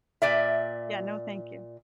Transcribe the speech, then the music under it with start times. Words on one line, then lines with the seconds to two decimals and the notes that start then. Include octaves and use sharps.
Yeah, no, thank you.
0.22 A#2 D5 E5